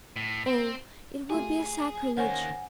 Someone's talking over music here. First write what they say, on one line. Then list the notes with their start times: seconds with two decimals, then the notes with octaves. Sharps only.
Oh, it would be a sacrilege.
0.16 A2
0.46 C4
1.30 A3 F4 G4 G#4
2.17 D#3 A#3 C#4 C5 C#5 F#5 G#5